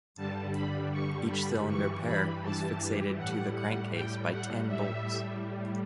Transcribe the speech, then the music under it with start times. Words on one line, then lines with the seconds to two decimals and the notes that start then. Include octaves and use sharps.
Each cylinder pair was fixated to the crankcase by ten bolts.
0.16 G2 D3 G3 A5
0.54 B5
0.92 C#6
1.29 B5
1.67 G2 E3 G3 C#6
2.05 B5
2.42 A5
3.17 A2 G3 F#5
3.55 F#5
3.92 G5
4.30 F#5
4.68 A2 G3 E5